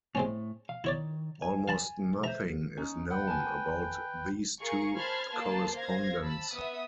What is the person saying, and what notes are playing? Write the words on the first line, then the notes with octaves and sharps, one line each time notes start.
Almost nothing is known about these two correspondents.
A2 G#3 C4 C#4
F5
D#3 E4 C#5 D5
G#5
F5 A5 B5
C5 E5 A#5
C#4 D#4
B4 F#5 G5
G#5 A5
G#4 A#4 F5 C#6
C5 A5 B5 C6 F6 G#6
A#3 B4 A5 C6
C5 F5 G#6 A#6
A5 B5 E6
B3 E5 D#6